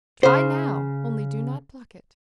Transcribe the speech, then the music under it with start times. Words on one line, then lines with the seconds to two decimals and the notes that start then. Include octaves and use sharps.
Try now--only do not pluck it.
0.23 C#3 C5